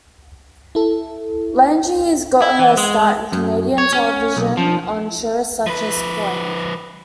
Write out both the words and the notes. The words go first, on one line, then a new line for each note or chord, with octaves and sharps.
Lengies got her start in Canadian television on shows such as Sponk!
E4 A4
E4
E3
G#3
F#2
C#5
C#4
B1
F3
F3 B4